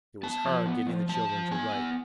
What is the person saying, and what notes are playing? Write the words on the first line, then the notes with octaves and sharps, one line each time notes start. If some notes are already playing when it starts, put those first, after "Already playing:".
It was hard getting the children to write.
B3 A5
F3
B3
F3
F3 A5
F3
B3 G#5
B3